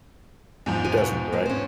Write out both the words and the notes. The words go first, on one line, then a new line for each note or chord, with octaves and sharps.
Who doesn't, right?
E2 G#2 F3
G4 G#5
B2 F#4
A#3 B3
C#4 C5